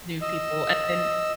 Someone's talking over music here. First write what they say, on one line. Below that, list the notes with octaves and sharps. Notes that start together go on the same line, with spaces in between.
new people and then
D#5 E6